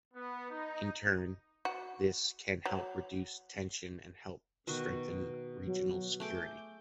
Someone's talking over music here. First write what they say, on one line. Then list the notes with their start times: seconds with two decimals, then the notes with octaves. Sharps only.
In turn, this can help reduce tensions and help strengthen regional security.
0.14 B3
0.50 D#4
1.65 F#4
2.66 F#3
4.67 B2 D#3 F#4
5.67 F#3
6.20 A3 G#4 D6 G6